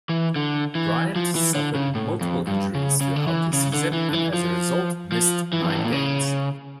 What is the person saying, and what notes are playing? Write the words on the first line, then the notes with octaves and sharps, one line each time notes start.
Bryant suffered multiple injuries throughout the season and as a result, missed nine games.
E3
D3
E3
F3
E3
D3
C#3
A2
F2
G2
C#3
C#3
D3
E3
C#3
D3
E3
D3
E3
F3
F3
E3
F2
G2
A2
A#2
C#3